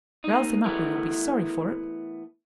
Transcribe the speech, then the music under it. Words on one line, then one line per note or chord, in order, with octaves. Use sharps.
"Rouse him up, or you'll be sorry for it."
A#3 D#4
E3 A3 B3 A#4